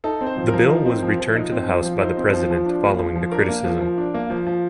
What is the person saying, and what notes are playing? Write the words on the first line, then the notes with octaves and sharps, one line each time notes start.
The Bill was returned to the House by the President following the criticism.
D#4 A4
C4
C5
F3
A#4
F3
D#4
C4
F3
F3
D#4
C4
F3
F3
D#4 C5
C4
F3
F3
D4
A#3
F3
F3
D4 A#4
A#3
F3
F3
D4
A#3
F3
F3